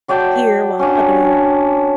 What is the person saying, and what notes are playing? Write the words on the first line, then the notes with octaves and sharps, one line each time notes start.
here while the other
F#3 D5 G5 A5
C#4 D4